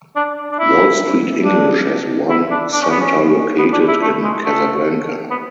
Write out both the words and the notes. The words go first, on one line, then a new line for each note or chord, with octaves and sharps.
Wall Street English has one center located in Casablanca.
D4
D4
E4
D4
E4
D4
D4
C#4
B3
C#4
B3
D4
E4
A3
G#3
A3
B3